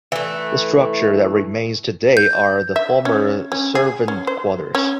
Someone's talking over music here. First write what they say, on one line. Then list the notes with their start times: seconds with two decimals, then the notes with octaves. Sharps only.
The structure that remains today are the former servant quarters.
0.12 E3 A3
2.17 G6
2.76 E5
3.05 C#4
3.52 C#4
3.75 G#4
4.08 C#4
4.27 C5
4.75 C#4